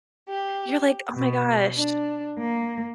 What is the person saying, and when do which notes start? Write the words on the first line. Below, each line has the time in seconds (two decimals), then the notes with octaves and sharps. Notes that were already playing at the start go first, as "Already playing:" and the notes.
You're, like, "Oh my gosh."
0.28 G4
1.14 B2
1.77 D4
2.38 A#3